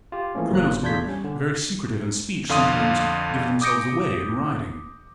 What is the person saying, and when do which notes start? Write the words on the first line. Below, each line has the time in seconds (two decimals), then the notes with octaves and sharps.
Criminals who are very secretive in speech sometimes give themselves away in writing.
0.12 F4 G4
0.35 E3 F3 A3 A#3 C#4
0.51 G1 A#2 F#3 A#3 F#6
0.83 E2 D4 F4 G6 G#6 B6
1.05 G3 C#4
1.24 D3
2.49 F2 D3 F5 C6 D#6 D#7
3.61 D6 D#6 G6 A#6 C#7 D7